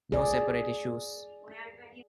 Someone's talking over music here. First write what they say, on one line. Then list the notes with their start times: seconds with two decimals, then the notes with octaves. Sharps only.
No separate issues.
0.12 G#4 D5